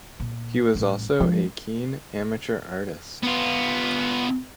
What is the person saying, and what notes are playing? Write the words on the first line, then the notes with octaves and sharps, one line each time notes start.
He was also a keen amateur artist.
A#2
A1 G3
F3 G#3 D4
B3 F4